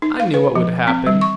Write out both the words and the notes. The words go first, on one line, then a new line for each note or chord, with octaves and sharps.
I knew what would happen.
D#4
F5
B4
F3
C4
G3
C#6